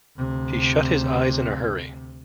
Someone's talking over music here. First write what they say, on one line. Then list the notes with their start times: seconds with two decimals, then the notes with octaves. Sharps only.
He shut his eyes in a hurry.
0.17 D2 C3